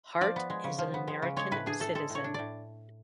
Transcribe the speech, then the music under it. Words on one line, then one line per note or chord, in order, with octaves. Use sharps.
Hart is an American citizen.
F3 D5
B3
G#3
C#3
F3
B3
G#3
C#3
G#3 C#5
A2 B4
D4 G#4
A2 A4
G#3 A4
A2
C#5
D4
A2 D5